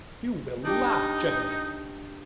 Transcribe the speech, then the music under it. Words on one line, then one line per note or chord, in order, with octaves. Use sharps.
You will laugh, gentlemen.
D4 D#4 G4 G5